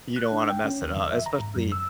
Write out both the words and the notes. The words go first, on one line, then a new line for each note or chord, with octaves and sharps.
You don't wanna mess it up, especially
F#6
D4
G5
C#4
D#2
F2
E5
A#5
G#2
F#2
E6